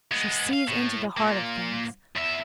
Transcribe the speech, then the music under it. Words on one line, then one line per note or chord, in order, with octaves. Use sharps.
She sees into the heart of things.
G#3 B3
F5
A2
A#2 A#3
E2 E5